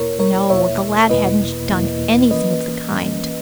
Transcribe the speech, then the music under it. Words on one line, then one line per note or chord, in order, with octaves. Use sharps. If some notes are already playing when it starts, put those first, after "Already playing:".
No, the lad hadn't done anything of the kind.
Already playing: E2 B2 A#3 E4 A#4 C#5
A#4 C#5
E2 B2 A#3 E4 C#5 E5
E2 B2 A#3 E4 B4 D#5
E2 B2 A#3 E4
E3 A#3 C#4 B4 D#5
E3 A#3 C#4